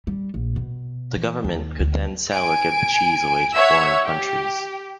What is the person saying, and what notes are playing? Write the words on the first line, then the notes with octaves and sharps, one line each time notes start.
The government could then sell or give the cheese away to foreign countries.
G3
A#1
B2
E3
D#2
D2
G#5 D7
C#5 E5 F#5 E6 G#6
G4